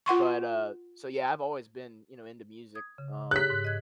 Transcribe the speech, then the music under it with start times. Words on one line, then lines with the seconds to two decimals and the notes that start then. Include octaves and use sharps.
but, uh, so yeah, I've always been, you know, into music, um,
0.06 F4 F#5 C6 C#6
2.75 D#6 G#6
2.98 C#3
3.31 G4 G#4 C#5 F#6 B6
3.50 G#2
3.65 D#5 G#6